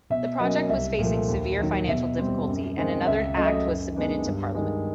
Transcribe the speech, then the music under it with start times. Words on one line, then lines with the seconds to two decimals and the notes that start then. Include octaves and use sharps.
The project was facing severe financial difficulty and another Act was submitted to Parliament.
0.10 B2 E5
0.39 F#3 A#3 C#4 D#5
0.69 C2 E5
0.99 A#2 F3 A3
1.28 D#2
1.59 D#3 F#3
1.87 B2 E5
2.18 G3 C4
2.48 F#2
2.77 D#3 G#3 C4
3.06 C#2 E5
3.37 C#3 F#3 A3 D#5
3.45 E5
3.52 D#5
3.66 F#2
3.96 D#3 G#3 B3 D4
4.26 G2
4.55 D#3 G#3